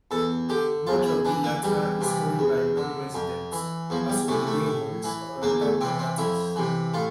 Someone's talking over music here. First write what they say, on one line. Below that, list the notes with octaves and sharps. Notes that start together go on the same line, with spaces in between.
Much of the latter is owned by non-residents as holiday homes or rental properties.
E2 A4
D3 G4
E2 F4
E4
E3 D4
A#3
E2 G3
C3 E3
E2
D3
F2
E3
E2 F3
G3
C3 E3 A3
A3
A2
E3
E2 A#3
A3
C3 E3 C4
C4
F2 E4
C3 E3
A2 F4